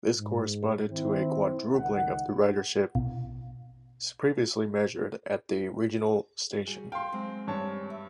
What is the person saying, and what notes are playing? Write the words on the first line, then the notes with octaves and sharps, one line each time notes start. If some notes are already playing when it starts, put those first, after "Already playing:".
This corresponded to a quadrupling of the ridership previously measured at the regional station.
G#2
D#3 C4 E4
C#2 D#3 F#5
A#1 B2
G3 F#4 G#4
F5 G5 C6
F#3 G#3 C4
G2 C#5 A5
E5